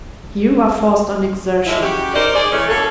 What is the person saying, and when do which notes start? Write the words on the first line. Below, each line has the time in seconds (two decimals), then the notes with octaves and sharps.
You are forced on exertion.
1.67 F3 G#3 A#3 E4
1.82 C#3 F#4 G4
2.14 D#4 A#4 C5 D5 D#5
2.34 G#4 D5
2.52 E3 A3 C#4
2.69 B2 A#3 C#4 A4